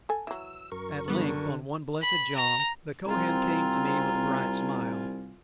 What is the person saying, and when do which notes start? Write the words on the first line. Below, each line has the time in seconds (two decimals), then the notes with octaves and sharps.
At length on one blessed jom, the Kohen came to me with a bright smile.
0.09 A4 G#5
0.27 E3 F#3 E6
0.72 F#2 A#4 C#6
1.08 D3 G3 B3
2.02 B5
2.35 A#5
3.05 C2 C4 F4 G#5 A#5